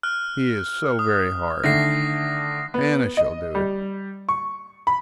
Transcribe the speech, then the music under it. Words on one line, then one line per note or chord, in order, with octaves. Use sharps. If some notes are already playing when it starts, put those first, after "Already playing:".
He is so very hard. Hannah shall do it.
F6 F#6
D#6
D3 D#3 A3 A#6 C7
B3
D#5
G3
C#6
B5